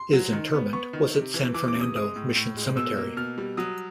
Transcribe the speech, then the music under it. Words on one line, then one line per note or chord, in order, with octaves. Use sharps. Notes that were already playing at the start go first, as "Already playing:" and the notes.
His interment was at San Fernando Mission Cemetery.
Already playing: C6
F#3
D#3
B3
B3 C#6
D#3
C3
E3
E3 D6
D6
C3
D#6
G#3 D#6
A2
A2
G#3
B2 E6
A#3
B2 F6
G3
F#3 D#6